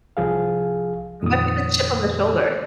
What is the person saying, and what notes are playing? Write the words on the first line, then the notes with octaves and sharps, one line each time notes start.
It might be the chip on the shoulder.
C2 F3 G#4 F5
F2 A#2 D#3 D#6